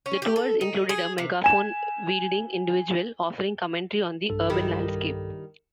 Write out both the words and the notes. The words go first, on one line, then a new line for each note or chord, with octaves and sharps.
The tours included a megaphone-wielding individual offering commentary on the urban landscape.
C#4
G4
A4
D#4
G#4
C3
G#5 E7
B1 G2 A4
D#3 G3 E4